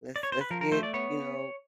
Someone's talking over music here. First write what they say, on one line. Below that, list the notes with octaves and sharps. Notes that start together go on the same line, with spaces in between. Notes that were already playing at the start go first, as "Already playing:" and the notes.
let's let's get, you know,
D5
C#5
C5
B4
F3 A#4
A#4
A3 C5
D5
B3 C#5